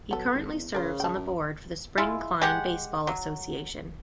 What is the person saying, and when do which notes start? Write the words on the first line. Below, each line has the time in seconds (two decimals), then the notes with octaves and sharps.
He currently serves on the board for the Spring Klein Baseball Association.
0.11 F#3 B3 A4
0.34 G#1
0.52 E2
0.75 C#3 A#4 C5
1.00 G5 A5
1.14 F#2
1.98 G#3 E4 F4
2.42 G#3 G4 F#5
3.07 F#3